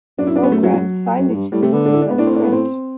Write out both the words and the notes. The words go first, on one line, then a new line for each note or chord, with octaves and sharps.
Programs, signage systems and print.
F#2 D4
E4
D4
B3
A3
F#3
F#3
F#2
A2
G2
A2 G3
C3 A3
D3 B3
D4
E4
D4
B3
A2 D4
C4
D4
B3
C4